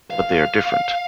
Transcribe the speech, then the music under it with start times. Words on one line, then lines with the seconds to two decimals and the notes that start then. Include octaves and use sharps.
But they are different.
0.10 F5